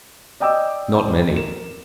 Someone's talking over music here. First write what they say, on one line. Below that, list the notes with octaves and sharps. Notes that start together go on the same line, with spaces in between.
Not many!
D5 D#5 G5 D6 E6
A#4 E7